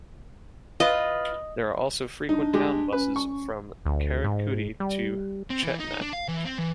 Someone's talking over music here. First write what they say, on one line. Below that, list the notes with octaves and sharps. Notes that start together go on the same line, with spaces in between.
There are also frequent town buses from Karaikudi to Chettinad.
F4 B4 D#5
D4 D#4
G#3 G4
C#4 B4
C#6
D2
G#2
G3
C4
E3
D#4
D4
F5
E3
C4
E3